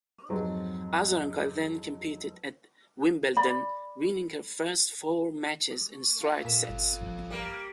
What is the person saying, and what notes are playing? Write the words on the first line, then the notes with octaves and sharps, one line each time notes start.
Azarenka then competed at Wimbledon, winning her first four matches in straight sets.
F2 G#2 F#3 C4
D5 B5
F4 A4
A#2 B6 E7
G1
A#1 G2 F3
G3 A#3